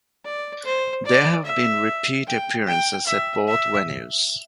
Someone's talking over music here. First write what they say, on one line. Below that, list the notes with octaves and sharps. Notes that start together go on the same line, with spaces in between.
There have been repeat appearances at both venues.
D5
C5
D5
E5
G5
G5
E5
E5